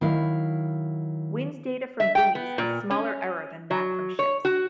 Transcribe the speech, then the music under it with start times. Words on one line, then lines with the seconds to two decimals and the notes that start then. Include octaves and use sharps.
Wind data from buoys has smaller error than that from ships.
0.01 D#3 F#3 E4 F5
2.00 E5
2.15 G5
2.35 B3
2.58 A#2
2.90 C#4
3.71 F#3
4.19 C#5
4.45 F#4